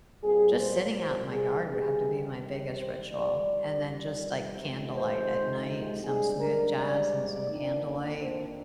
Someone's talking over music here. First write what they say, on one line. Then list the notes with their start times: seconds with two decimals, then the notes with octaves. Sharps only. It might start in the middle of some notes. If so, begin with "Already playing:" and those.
just sitting out in my yard would have to be my biggest ritual. And then just, like, candlelight at night, some smooth jazz and some candlelight.
0.23 A#2 G3 C4 G#4
0.59 C5
0.95 C5
1.32 G#4
1.67 C3 D#3 G3 G#4
2.76 C5
3.12 F2 C3 D#3 G3 D5
4.57 F2 C3 D#3 G#3
4.94 C5
6.02 G#2 G3 A#3 D4 G#4
6.38 A#4
6.75 D5
7.47 F2 D#3 A#3 D4
8.20 C5